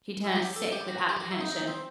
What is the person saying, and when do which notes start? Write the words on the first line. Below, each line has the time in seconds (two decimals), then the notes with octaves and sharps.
She turned sick with apprehension.
0.24 E4
0.36 G4
0.56 A4
0.72 G4
0.88 F#4
0.98 F#4
1.09 G4
1.20 F#4
1.31 E4
1.41 D#4
1.52 D#4
1.67 C4